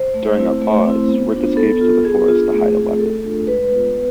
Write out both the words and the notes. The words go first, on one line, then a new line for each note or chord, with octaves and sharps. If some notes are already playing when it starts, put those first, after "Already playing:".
During a pause, Rick escapes to the forest to hide a weapon.
Already playing: C5
A3
C4 E4
A3
C4 E4
B3
D4 F4
B3 A4
F4
B3 G#4
D4 F4
A3
C4 F4
A3 A4
D4 F4
G#3 B4
B3 F4
B3